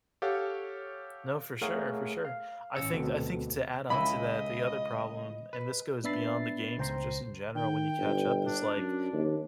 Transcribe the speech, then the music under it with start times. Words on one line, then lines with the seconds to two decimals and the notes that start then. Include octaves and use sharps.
No, for sure, for sure. I think I think to add on to that, the other problem, and this goes beyond the games, but just in general, when you catch up is like,
0.22 G4 A4 C#5 F5 F#5
1.61 A3 G#4 A#4 C#5 F5 F#5
2.25 F5
2.75 A1 C#4 E6 C#7
2.93 D2 B2 B3 C4 A4
3.90 C#2 E4 D#5 E5 B5
5.53 B4
6.04 B3 D4 E5 B5 A6 C7
6.78 C#2 C5 G5 A#5 C6
7.55 D#3 G5
7.98 G1
8.44 D4
8.77 F#2
9.13 D#2